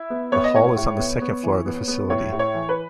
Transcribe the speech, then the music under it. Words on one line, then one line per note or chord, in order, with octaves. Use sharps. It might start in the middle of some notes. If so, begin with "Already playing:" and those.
The hall is on the second floor of the facility.
Already playing: E4 E5
B3
B3 C#5
D#5
A2 C#5
A2
B3
B3
E3
B3
B3
A2 C#5
A2
C#5
E3
B4